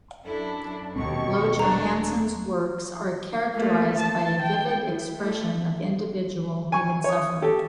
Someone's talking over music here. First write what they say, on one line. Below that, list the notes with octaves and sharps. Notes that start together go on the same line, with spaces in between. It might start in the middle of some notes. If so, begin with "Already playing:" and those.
Lo-Johansson's works are characterized by a vivid expression of individual human suffering.
F#2 D4 E4 A4
D#1 D#2 B2 C4 C#6
A3 A#3 D4 A#5
A3 A#3
A5
G5
E4
A3
G#5 C#6
C#5 D#6
G4 A4